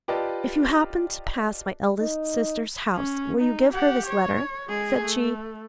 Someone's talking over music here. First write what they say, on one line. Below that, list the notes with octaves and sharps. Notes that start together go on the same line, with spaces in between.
'If you happen to pass my eldest sister's house, will you give her this letter?' said she.
F4 G4 B4 D5 D#5 A5
D#4
C#4
D#4
G4 F#5
C#5
G#3 G#4
A3